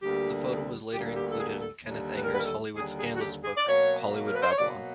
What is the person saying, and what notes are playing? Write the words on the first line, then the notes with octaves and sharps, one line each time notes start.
The photo was later included in Kenneth Anger's Hollywood scandals book, "Hollywood Babylon".
D2 D3 G3 A#3 G4
D2 D3 G3 A#3 G4
G4
A4
G#4
A4
D#2 D3 G3
B4
A#4
B4
A#4
A4
D#2 D3 G3 G#4
G#4
F#4
G4
G#4
D5
B2 F#3 A#3 C#5
A#4
B4
C5
C#5
B2 F#3 A#3 D5